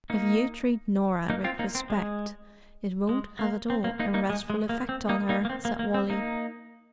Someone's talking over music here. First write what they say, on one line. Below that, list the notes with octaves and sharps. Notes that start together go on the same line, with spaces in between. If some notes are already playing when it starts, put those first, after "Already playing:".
"If you treat Norah with respect it won't have at all a restful effect on her," said Wally.
A#3 D#4
A#3 D#4
C4 F4
A#3 D#4
C4
G#3
G#3
A#3
C4
A#3
A#3 D#4
A#3 D#4
G#3
G#3
A#3
C4
A#3 D#4
A#3 D#4
A#3
C4
A#3
A#3
C4
A#3 D#4